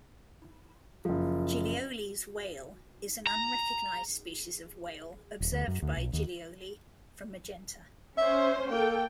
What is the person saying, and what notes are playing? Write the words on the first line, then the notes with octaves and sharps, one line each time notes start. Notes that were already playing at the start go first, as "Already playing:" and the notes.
Giglioli's Whale is an unrecognized species of whale observed by Giglioli from "Magenta".
F#1 F3
A#5
D#1
D2
F#2
D2
B1
D#2
C#4 C5 E5
A#3 A4 G5